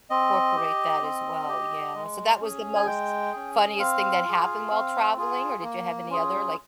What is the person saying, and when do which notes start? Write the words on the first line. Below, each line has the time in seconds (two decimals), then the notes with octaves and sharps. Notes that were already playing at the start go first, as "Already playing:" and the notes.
incorporate that as well. Yeah. So that was the most funniest thing that happened while traveling or did you have any other like
0.10 C4 D#5
0.57 G4
1.02 C4
1.48 G4
1.94 G#3
2.40 C#4 G#4
2.75 G#5
2.86 G#3 G5
3.33 C#4 G#4
3.79 C4 F5
4.25 F4 G#4
4.71 C4
5.17 F4 G#4
5.63 A#3
6.10 C#4 F4 G#4